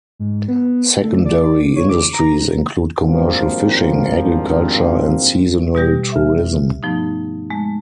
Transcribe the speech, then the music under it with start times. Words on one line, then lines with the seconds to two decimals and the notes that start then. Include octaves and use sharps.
Secondary industries include commercial fishing, agriculture and seasonal tourism.
0.19 G#2
0.48 B3
1.03 A3
1.25 D5
1.76 C#5
1.89 D6
2.13 A#5
3.05 G#1 G2 F3 A#3 C4
5.75 B2 G3 G4 A#6
6.12 E5 F6
6.83 G2 F3 A3 B3 D#4
7.50 G#3 A3